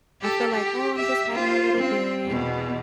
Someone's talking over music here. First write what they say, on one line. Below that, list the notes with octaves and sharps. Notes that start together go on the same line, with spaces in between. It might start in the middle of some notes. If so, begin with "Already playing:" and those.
I feel like, "Oh I'm just having a little dairy.
G4 A4
G4
G4 E5
F4 C5
C4
E2 B2